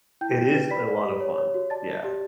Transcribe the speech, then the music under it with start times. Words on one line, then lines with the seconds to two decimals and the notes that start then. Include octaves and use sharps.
It is a lot of fun. Yeah.
0.21 E4 G5 G6
0.37 G4
0.54 B4
0.70 D5 B5 B6
0.88 D5
1.05 G4
1.20 C#5
1.37 C#5
1.54 F#4
1.70 D5 A5 A6
1.88 D5
2.04 G4